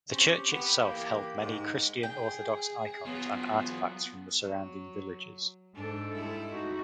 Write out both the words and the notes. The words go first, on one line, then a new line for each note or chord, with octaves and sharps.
The church itself held many Christian Orthodox icons and artifacts from the surrounding villages.
C4 C#4 G4
B3
E3 A#3
G#2
G#4 G5
F#3 B3 F4
F#3
G#2 D4 A4
G3 G#3 E4
D#4 F#4